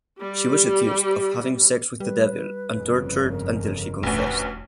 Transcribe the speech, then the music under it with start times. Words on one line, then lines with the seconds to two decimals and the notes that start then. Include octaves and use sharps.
She was accused of having sex with the devil and tortured until she confessed.
0.19 G3 G4
2.00 G3 B4
2.74 G1 F2 C#3
3.29 A#4
4.03 E1 A1 D2 B4